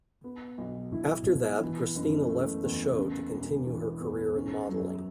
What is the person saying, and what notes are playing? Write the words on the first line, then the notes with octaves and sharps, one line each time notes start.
After that, Christina left the show to continue her career in modeling.
B3
B1
E4
B2
E3
F#1
A3
E2
C#3
E1
E3
E2
C#4
F#2